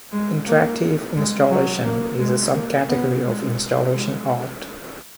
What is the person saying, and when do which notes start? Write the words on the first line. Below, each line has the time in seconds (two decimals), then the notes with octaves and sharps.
"Interactive installation" is a sub-category of installation art.
0.12 G#3
0.47 A#3
1.16 G#3
1.50 F#3
1.85 A#3
2.19 G#3
2.54 A#3
2.88 B3
3.23 G#3
3.91 G#3